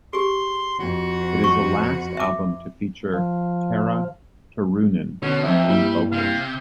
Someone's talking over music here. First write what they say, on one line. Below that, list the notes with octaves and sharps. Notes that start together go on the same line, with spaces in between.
It is the last album to feature Tarja Turunen on lead vocals.
G4 G#4 C6
F2 F#4
C#6
E5 D6
F3
B2 D3 C#4
F2 C4 D#4 E5
G2 G3 A#3 E4
C3 F5